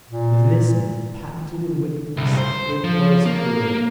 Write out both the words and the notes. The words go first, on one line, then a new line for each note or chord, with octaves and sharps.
With this man, patented in wickedness, it was fury.
A#2
C2
C5
F3
A#3